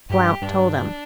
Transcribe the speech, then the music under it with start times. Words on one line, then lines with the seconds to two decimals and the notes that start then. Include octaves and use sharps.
Blount told him.
0.09 G2 G4
0.42 G2 D4